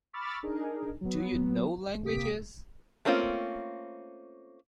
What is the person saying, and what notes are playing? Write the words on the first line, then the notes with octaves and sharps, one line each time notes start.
Do you know languages?
B5 C#6 D6 E6 F6 A6
D4 D#4 G#4 A#4
F#3 B3
C3 A#3 G4 D#6 B6 D7
A3 A#3 C4 C#4 F4